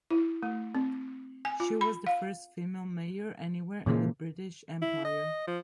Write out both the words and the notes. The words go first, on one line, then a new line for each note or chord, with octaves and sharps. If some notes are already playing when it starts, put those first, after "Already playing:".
She was the first female mayor anywhere in the British Empire.
E4
A3
C4
G#5
F4
B5
F5
A#2 C#3 E3 F3 G#3 A#3
E4
D#5
F3